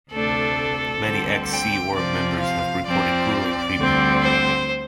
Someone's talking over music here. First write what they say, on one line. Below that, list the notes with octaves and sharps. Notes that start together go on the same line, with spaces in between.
Many ex-Sea Org members have reported gruelling treatment.
D2 C3 A3 D4 A4
D2 D3 G3 C4
G5
C3 F3 C4 D5
F5
F2 F3 C4 D5
D2 D3 G3 C4
C5